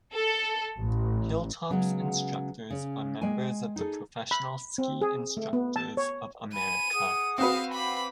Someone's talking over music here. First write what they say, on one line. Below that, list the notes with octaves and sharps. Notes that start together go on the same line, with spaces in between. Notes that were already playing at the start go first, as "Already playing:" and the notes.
Hilltop's instructors are members of the Professional Ski Instructors of America.
A4
A1
C#3 F#3 G#3 B3
C#3 C#4
G#3 G5 G#5
D#4 G#4 A4
B5
C4
G#4
A3
B3
A5
C#5
G#5 B5 D#7
G#4 F#5 D#6
C4 F#4 B4 F5
F5 B5 D6